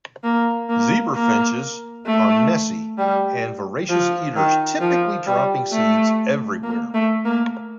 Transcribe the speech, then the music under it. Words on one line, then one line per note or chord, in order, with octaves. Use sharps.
Zebra finches are messy and voracious eaters, typically dropping seeds everywhere.
A#3
A#3
A#3
A3
G3
F3
D#3
F3
G3
A3
A#3
A3
A#3